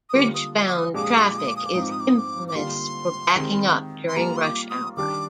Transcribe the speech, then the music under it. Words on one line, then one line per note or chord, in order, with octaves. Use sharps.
Bridge-bound traffic is infamous for backing up during rush hour.
D#6
D3 G3 A#3 F4 D6
D#6
D6
D#6
A#2 F3 G#3 D4 G4 D6
D#6
D6
D#6
D6
D#6
D6
D#6
D6
G#2 F3 C4 D#4 D#6
D6
D#6
D6
D#6
D6
D6
D3 G3 A#3 F4 C6
D#3 G#3 C4 G4
C6
G3 A#3 F4 A#5
C6
D6
D#6
D#3 G3 D4 D6